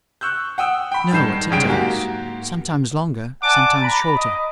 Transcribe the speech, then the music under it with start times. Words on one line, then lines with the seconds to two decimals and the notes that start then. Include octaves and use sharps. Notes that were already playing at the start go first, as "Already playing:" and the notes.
"No, at intervals; sometimes longer, sometimes shorter."
0.21 C#6 E6 F#6 G6
0.58 F#5 G5 D#6 E6
0.92 G5 B5
1.12 G2 D#3 G#3 G6 C7 E7
1.50 C2 F#2 C#3 G5 D7
1.66 G#2 A#3 F#4 G4
3.43 D5 F#5 G#5 A5 D6
3.82 A#5 B5
4.17 D#5